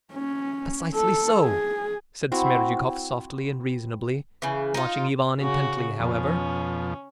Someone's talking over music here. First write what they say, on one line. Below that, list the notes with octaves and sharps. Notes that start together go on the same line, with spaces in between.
"Precisely so," said Smerdyakov, softly and reasonably, watching Ivan intently, however.
C#4
A4
G#4
C4 E4 F#4
C#3 E3
D#4 F4
C#3 F#4
F2 B2 F3 C#4